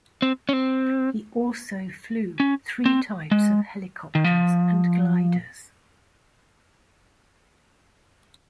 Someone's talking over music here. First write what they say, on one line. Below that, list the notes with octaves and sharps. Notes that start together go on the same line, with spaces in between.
He also flew three types of helicopters and gliders.
C4
C#4
C4
C#4
C4
G#3
D#3
F3